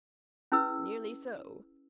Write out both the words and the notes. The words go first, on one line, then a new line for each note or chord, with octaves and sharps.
"Nearly so."
C#4 E4 G#4 B4 E6